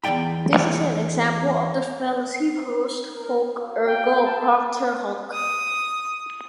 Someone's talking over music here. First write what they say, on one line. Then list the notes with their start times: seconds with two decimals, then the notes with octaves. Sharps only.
This is an example of the fallacy post hoc ergo propter hoc.
0.04 E2 E3 D5 G5 B5
2.41 C4
3.10 A#4
3.57 F#4 A#4 F5
3.86 G5
4.25 A5
5.33 D#6